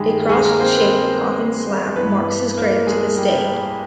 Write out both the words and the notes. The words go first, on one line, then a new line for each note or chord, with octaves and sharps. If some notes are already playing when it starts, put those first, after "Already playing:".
A cross-shaped coffin slab marks his grave to this day.
Already playing: G2 D#3 G3 G#3 G4 G#4
G#3 G#4
A#3 A#4
C4 C5
B3 B4
G2 E3 B3 B4
A#3 A#4
G#3 G#4
G3 G4